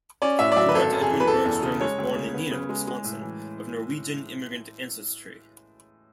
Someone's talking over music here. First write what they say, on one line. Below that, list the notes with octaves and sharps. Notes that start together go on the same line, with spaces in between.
George Edwin Bergstrom was born in Neenah, Wisconsin of Norwegian immigrant ancestry.
C#4 D5
A2 E5
D5
F#3 E5
B4
G#1 A4
F#2
G#4
E3
B4
E1 A4
E2
C#3
G#3 C#5
D2
C#3
B3
C#3
G#3
G#3
A2
E3